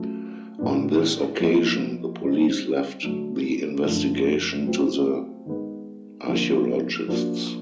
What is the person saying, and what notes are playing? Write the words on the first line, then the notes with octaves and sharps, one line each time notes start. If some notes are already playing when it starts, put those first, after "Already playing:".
On this occasion, the police left the investigation to the archaeologists.
Already playing: F#3 A3 C#4 F4
A2 F#3 B3 D4
F3 A#3 D#4
G3 C4 D#4
D3 F#3 A3 D4
F#2 D3 F3 A3
F#3 A3 C4 F4
D#3 G#3 B3
D3 F3 A#3
F3 A#3 D4 F#4